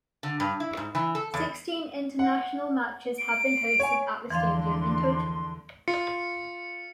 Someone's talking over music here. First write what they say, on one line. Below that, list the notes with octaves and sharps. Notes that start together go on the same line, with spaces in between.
Sixteen international matches have been hosted at the stadium in total.
D3
G2
E4
G#2
E3
A4
E2
F#5
D7
C#5 G#5
E2 D3 E3 F3 D4 F5 C6
F4 C#7